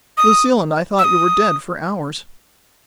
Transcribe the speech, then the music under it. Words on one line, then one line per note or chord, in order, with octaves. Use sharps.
Lucille and I thought you were dead for hours.
D#6
E6
D#6